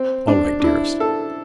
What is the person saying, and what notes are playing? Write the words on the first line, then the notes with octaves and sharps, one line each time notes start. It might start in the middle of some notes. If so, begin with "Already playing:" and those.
All right, dearest.
Already playing: C4
D4
D4
E4
A4